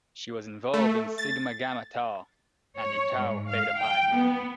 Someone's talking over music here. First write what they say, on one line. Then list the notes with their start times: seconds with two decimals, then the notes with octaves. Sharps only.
She was involved in Sigma Gamma Tau and Tau Beta Pi.
0.74 A3
1.18 A6
2.77 C#5
3.14 G#2
3.48 F5
3.77 G5
4.13 B3